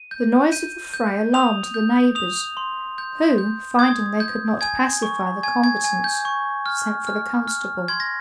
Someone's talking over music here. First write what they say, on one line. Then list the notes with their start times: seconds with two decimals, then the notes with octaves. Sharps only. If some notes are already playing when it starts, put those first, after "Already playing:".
The noise of the fray alarmed the neighbors, who, finding they could not pacify the combatants, sent for the constable.
Already playing: D#7
0.11 G6
0.52 G6 D#7
0.94 G6
1.34 D#6 F7
1.74 G6
2.15 D#6 F7
2.57 C6
2.98 G6
3.38 G6
3.79 D#6 G#6
4.20 G6
4.61 G#5 G#6
5.02 C#6
5.43 G#5 G#6
5.64 G#6
5.84 G#5 G#6
6.04 G6
6.25 C#6
6.66 F6
7.07 F6
7.48 F6
7.88 C6 G#6
8.00 A#6